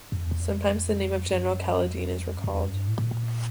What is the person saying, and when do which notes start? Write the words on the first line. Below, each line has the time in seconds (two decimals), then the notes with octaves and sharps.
Sometimes the name of General Kaledin is recalled.
0.12 F2
0.26 E2
0.40 F2
1.28 F#2
1.86 F2
2.38 F#2
2.44 F2
2.54 E2
2.64 F#2
2.73 G2
2.88 A2
2.98 A2
3.03 A#2